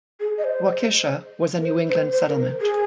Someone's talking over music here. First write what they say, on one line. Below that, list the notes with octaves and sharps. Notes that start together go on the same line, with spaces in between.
Waukesha was a New England settlement.
G#4
D#5
C5
A#4
C5
C5
C5
A#4
G#4